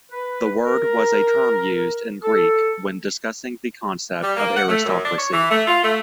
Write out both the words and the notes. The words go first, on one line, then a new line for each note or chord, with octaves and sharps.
The word was a term used in Greek when discussing the concept of aristocracy.
B4
A#4
A4
G3
A#3
F#5
A3
F#2
D4
C#5
E3
A3
F4
A3